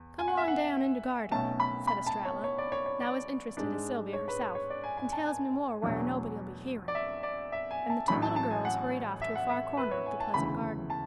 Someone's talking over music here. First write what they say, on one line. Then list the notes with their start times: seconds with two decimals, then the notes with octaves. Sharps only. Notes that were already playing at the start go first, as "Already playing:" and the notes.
"Come 'long down in de garden," said Estralla, now as interested as Sylvia herself, "an' tells me more whar' nobody'll be hearin'," and the two little girls hurried off to a far corner of the pleasant garden.
Already playing: E2
0.19 G#5
0.28 F#5
0.37 E5
0.48 F#5
1.31 B1 B2 A3 C#4 A5
1.60 B5
1.87 B5
2.07 A5
2.25 C#5
2.44 C#5
2.58 D5
2.72 C#5
2.86 C#5
3.00 D5
3.57 G#2 G#3 D4
4.13 C#5
4.28 B4
4.41 C#5
4.55 C#5
4.70 D5
4.84 G#5
4.97 G#5
5.12 A5
5.26 G#5
5.82 E2 B2 F#3 A3 D4
6.88 D5
6.95 E5
7.23 D5
7.52 E5
7.71 G#5
7.90 A5
8.08 A1 A2 F#3 A3 C#4 B5
8.22 A5
8.36 A5
8.50 G#5
8.65 F#5
9.22 E5
9.35 F#5
9.49 E5
9.77 B4
9.91 C#5
10.06 G#5
10.20 A5
10.34 E1 D2 C#3 E3 A3 B5
10.90 A5